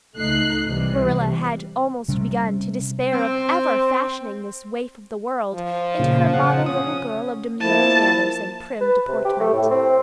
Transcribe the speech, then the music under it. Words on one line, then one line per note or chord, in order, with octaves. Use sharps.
Marilla had almost begun to despair of ever fashioning this waif of the world into her model little girl of demure manners and prim deportment.
C#2 A3 D#4 F#6 C7
C2 C3 E3 G3
C3 G3 C#4
C4
F3
A#2 C#3
C#3 F#5
C#4 D#6
F3 A#3 E4 A5
B4
C3
G4
A3
A2
C4